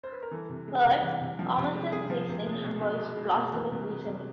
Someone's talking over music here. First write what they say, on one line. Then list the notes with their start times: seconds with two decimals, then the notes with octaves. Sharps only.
Third, commonsense reasoning involves plausible reasoning.
0.03 C5
0.12 B4
0.22 A#4
0.31 E3 A4
0.49 C3
0.68 G#3
0.85 C3
1.03 E3
1.21 C3
1.39 F3
1.57 C3
1.75 G#3
1.92 C3 G#4
2.10 F3
2.29 C3
2.46 G#3
2.64 B2
2.81 B2
3.00 G#3
3.17 G#3
3.36 B2
3.53 E3 A#4
3.71 C3
3.89 G#3
4.07 C3